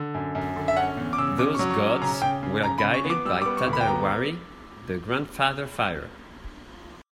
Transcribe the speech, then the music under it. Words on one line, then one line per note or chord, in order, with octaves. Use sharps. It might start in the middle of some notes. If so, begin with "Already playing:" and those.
Those Gods were guided by Tatewari, the Grandfather Fire.
Already playing: D3
F#2
F#2
D3
E5
C#4 F#5
E2
D6
C#3 E6
C#4 D6
C#6
F#3
C#6
C#4
C#3 A#5
C#3 G5
C#3
C#3 A#5
B5
C#3
C#6
B3
D6
G3 E6
D6
B3
C#6
D2
B5
G5
B3 A#5